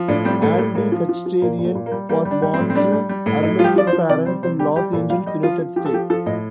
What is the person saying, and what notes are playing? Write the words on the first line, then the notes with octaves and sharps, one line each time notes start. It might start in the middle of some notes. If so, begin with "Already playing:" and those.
Andy Khachaturian was born to Armenian parents in Los Angeles, United States.
Already playing: F3
A2 D4
G3 C4
A2 A3
A#3
G3 A3
A2 A#3
F3
F3
F3
A#2 A#3
A#2
A3
A#2
A#3
G3
G3 A#3
G3
D4
G3
C4
A2
C4
G3 D4
G3
G3
A2
A2 D#4
F3 F4
G4
F3 D5
C5
F3
C3 D5
G3 C5
C3 C5
G3 G4
G3 G4
A#2 A4
G3 F5
G3 D#5
F3 F4
F3
F3 G4
A4
F3 G4
F3 A4
A2 D#5